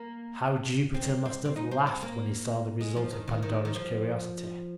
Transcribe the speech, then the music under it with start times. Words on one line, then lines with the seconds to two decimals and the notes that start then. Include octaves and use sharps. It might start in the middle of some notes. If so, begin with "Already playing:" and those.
How Jupiter must have laughed when he saw the result of Pandora's curiosity!
Already playing: A#3
0.94 C4
1.26 C4
1.45 C4
1.56 D#4
1.71 C4
1.87 C4
2.03 A#3
2.81 G#3
2.96 F3
3.12 D#3
3.28 D#3
3.43 D#3
3.65 D#3
3.75 F3